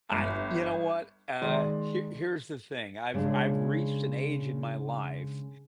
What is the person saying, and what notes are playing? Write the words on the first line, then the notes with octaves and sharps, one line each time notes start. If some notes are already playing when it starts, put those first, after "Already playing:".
I you know what, uh, here here's the thing, I've I've reached an age in my life
G1
D#3 G#3 D5 C6
C#3 G#3 D4